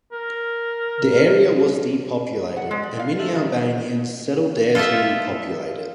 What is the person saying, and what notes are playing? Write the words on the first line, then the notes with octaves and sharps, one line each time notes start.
The area was depopulated and many Albanians settled there to repopulate it.
A#4
F#5
G#3
D5
F5
A3
D#3
F4 A4 C5 D#5 E5